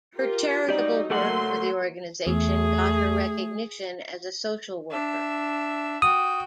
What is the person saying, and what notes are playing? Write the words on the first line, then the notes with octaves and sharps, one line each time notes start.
Her charitable work for the organisation got her recognition as a social worker.
F4 G4 A#4
F#3 G3 D#4 G4 D5
F#3 A3 A#3 A4 F#5 C6
E2 A3 G#4
D4 E5
F#4 G5 D#6